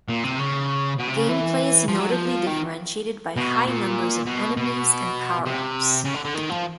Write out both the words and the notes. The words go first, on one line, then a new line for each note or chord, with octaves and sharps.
Gameplay is notably differentiated by high numbers of enemies and power-ups.
A#2
C3
C#3
B2
C3
C#3
E3
F3
F#3
F3
D#3
B2
A#2
B2
B2
C3
C#3
D3
D3
D#3
F3